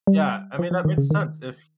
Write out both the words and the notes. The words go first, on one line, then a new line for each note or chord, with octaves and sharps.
Yeah, I mean, that makes sense, if
G3
F3
F3
D#3
C#3
D#3